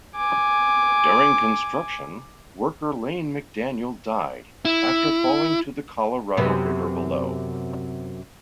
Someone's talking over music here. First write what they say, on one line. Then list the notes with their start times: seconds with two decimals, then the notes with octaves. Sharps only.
During construction, worker Lane McDaniel died after falling to the Colorado River below.
0.16 G#5 D6
4.65 E4
6.37 F#2 C3 B3